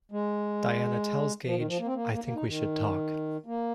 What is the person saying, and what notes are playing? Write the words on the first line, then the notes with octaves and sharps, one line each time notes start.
Diana tells Gage "I think we should talk".
G#3
F3
D#3
F3
A#3
C4
A#3
A#3
A#3
D#4
D#3
A#3